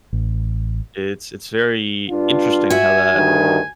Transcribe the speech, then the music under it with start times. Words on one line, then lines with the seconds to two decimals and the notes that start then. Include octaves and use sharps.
it's it's very interesting how that
0.13 A1
2.10 G2 D4 F4
2.70 F#4 E5 G#5
3.14 D2 G2 D#3